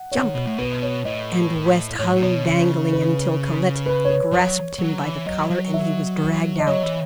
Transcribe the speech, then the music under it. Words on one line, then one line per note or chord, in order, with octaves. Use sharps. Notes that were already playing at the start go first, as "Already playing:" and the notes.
"Jump!" and West hung dangling until Colette grasped him by the collar, and he was dragged out.
Already playing: F#5
C#5
C#3
D#3
B2
A2
B2 B4
C#5
A2 D#5
A2 C#5
G#2
A2
B2 C#5
C#3
B4
B4
C#5
B4
F#3 C#5
F#3
E3
F#3 D#5
F#3
E5
D#5
F#3 C#5
E3